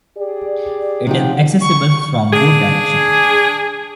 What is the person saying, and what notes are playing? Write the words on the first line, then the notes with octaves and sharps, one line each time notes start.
It is accessible from both directions.
G4 G#4 D5
C3 F3 F#3 D#4 G4
C#6
D4 G#4